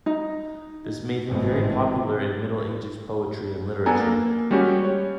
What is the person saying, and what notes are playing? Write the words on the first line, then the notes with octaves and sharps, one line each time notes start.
This made him very popular in Middle Ages poetry and literature.
D#4
G#1 A2 C3 E3 G#3 C4
B3 D4 A4 G#5 A#5
A#3
G3 G#3 C#4 F#4 G4
C#5